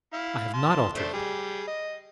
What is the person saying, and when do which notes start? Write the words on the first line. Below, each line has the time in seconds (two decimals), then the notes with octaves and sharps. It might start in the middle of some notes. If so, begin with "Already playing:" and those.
"I have not altered it."
0.13 E4 F5
0.53 A5 C6
0.95 A3 D4 C5
1.13 G3 G#4
1.67 D#5